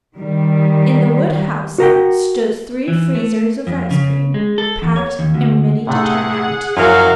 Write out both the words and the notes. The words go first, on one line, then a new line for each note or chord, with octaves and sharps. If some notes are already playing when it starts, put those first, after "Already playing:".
In the woodhouse stood three freezers of ice-cream, "packed" and ready to turn out.
D#3 G3
F#4 A#4 F#5 G5
E3
A3
F2
C#3
G#3
A4
E2
C#5
D#2
D2
A2 C3 A3 G#4 F#5
F#2 F3 F#3 C#4 E4 F#4 A#4 F5